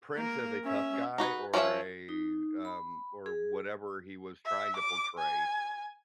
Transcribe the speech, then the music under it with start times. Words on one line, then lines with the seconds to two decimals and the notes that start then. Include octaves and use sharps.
Prince as a tough guy or a, um, or whatever he was trying to portray
0.16 A#3 A#4
0.64 C#4 E5
1.18 D#4 F#4 B4
1.54 F3 C#4 D4 C#5 E5
2.09 D#4
2.65 B5
3.26 G#4
4.45 E5
4.77 D6
5.18 G#5